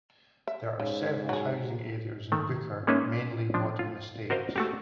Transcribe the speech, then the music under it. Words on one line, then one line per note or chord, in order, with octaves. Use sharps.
There are several housing areas in Booker, mainly modern estates.
E5
G#2 C#3
F#3 G#4
D#3 A3
G#3 A#3 C#4 D#4 B4 E5
F3 D4
F4
F#4 A#4 C5 D#5 F5
A3 F#4 G4